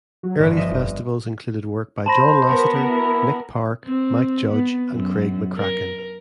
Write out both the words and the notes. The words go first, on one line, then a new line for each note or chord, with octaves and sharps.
Early festivals included work by John Lasseter, Nick Park, Mike Judge, and Craig McCracken.
F#3
G1 A2
F3 D#5 E5
F1
C5 A5 B5 A#6
B3 F#4 A#4
E4
C4
B3
F#2
A#4